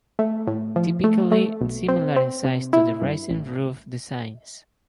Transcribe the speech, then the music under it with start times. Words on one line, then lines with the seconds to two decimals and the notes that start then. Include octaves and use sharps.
Typically similar in size to the rising roof designs.
0.19 A3
0.47 A2
0.76 F3
1.04 A3
1.32 A3
1.61 B1
1.88 C4
2.16 C4
2.44 C3
2.73 E4
3.01 G2
3.30 A1